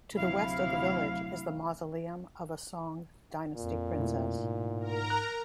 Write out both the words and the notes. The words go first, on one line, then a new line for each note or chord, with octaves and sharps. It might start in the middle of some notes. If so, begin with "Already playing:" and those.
To the west of the village is the mausoleum of a Song dynasty princess.
D2 C3 F#3 E4 F5
F2 A#2
B2 A3 E4
G#2
A#4 A#5
F#6